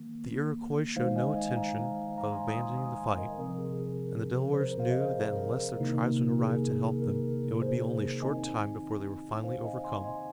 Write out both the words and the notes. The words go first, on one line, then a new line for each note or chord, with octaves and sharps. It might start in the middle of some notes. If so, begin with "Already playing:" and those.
The Iroquois showed no intention of abandoning the fight, and the Delawares knew that unless their tribesmen arrived to help them it would be only a short time before they were finally overcome.
Already playing: D#3 A#3
D#3 G#3 D#4 C5 F5
D#5 G#5
D#5 G#5
F5 A#5
F5 A#5
G#5 C6
A#5 D#6
G#5 C6
A#5 D#6
G#5 C6
A#4 D#5
C3 F3 C4 A#4
G#4
G#4
A#4
C5
A#4
C5 F5
D#5
G#4 C5
A#4
C3 D#3 A#3 D#4
A#4
G#4
A#4
A#4
G#4 C5
D#3 C4 D#4 D#5 G#5
C5 F5
D#5 G#5
G#5 C6
D#5 G#5